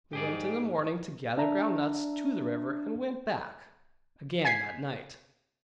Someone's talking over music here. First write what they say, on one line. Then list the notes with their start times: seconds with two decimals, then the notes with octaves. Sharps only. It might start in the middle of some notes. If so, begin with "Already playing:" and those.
We went in the morning to gather ground nuts, to the river, and went back again that night.
0.13 G#2 G4 G#4 D5
1.37 D4 E5 A#5
4.45 G#5 G#6 B6 C7